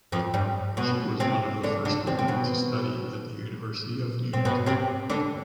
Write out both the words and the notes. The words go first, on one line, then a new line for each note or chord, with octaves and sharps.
She was one of the first women to study at the University of Munich.
F2 F3
G2 G3
B2 B3
C3 C4
D3 D4
D3 D4
C3 C4
C4
B2 B3
C4
B2 B3
C3 C4
D3 D4